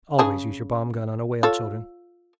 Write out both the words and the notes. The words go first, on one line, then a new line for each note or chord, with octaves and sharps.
Always use your bomb-gun on a whale, children.
C#3 G#4 A5
F4 A4 C#5